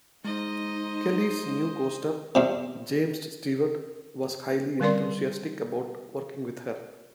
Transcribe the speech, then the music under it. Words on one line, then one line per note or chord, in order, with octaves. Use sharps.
Kelly's new costar, James Stewart, was highly enthusiastic about working with her.
G#3 D#4 C5 D#5
E2 G2 C3
D3 G3 C4 A#4 D5 C6